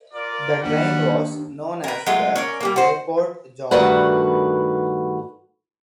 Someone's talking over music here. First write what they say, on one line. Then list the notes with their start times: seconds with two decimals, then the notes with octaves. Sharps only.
The train was known as the "Bayport Job".
0.14 F4 A#4 D5
0.62 D#2 G3 D4 F#5
1.84 A#4 B4
2.06 F#3 G#3 A3 F4
2.36 C#4 A#4 D5
2.61 G3 G#3 A#3
2.76 F#4 C5
3.71 G2 D#3 A3 F#4 B4 F#5